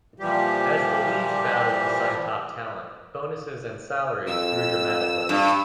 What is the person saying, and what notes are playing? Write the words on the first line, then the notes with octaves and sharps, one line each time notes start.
As the leagues battled to sign top talent, bonuses and salaries grew dramatically.
A#2 E3 F3 G3 G4
F2 E6
G2